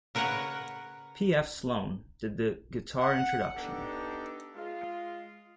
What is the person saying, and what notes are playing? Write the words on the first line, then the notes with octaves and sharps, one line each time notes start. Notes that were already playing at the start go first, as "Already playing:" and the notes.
P. F. Sloan did the guitar introduction.
C#3 A#4 B4 C#5 F#5
F#5
B3 D4 D#4 G4 A4
G#3 F4